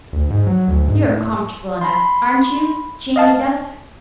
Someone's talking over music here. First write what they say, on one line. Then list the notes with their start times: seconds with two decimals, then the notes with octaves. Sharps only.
"You're comfortable enough, aren't you, Jamie Duff?"
0.13 D2
0.30 G#2
0.47 F#3
0.68 D2
0.88 G#2
1.05 A2
1.81 B5 C6
3.16 D#5 F5 A5